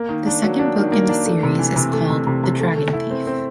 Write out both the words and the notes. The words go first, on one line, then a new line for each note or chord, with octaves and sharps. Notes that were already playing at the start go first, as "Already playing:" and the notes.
The second book in the series is called "The Dragon Thief".
Already playing: A#3
D#3
D4
F#3
D4
D#3
A#3
D4
A3
C3
E3
C3
A3
C3
C3
C3
A3
A3
E4
C4
C4